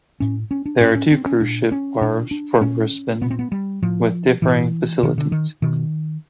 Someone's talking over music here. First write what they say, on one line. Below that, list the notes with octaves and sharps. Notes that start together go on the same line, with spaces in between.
There are two cruise ship wharves for Brisbane, with differing facilities.
A2 C#4
C#4
D4
A2 C#4
C#4
C4
C#4
A#2 D4
C#4
A#2 D4
D4
A#2 C#4
A#2 B3
C4
B3
G3
A2 F3
A2 E3
B2 D#3
D3
D#3
B2 D#3